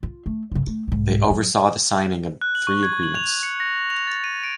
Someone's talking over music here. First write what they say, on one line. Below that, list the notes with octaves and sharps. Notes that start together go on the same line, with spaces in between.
They oversaw the signing of three agreements.
F4
A3
G2 C#3
A3
C2 G#2
F#2
F#6
F#7
C#6
G#6
F#7
F7
C#7
A#6
F7
A6
D#7
D7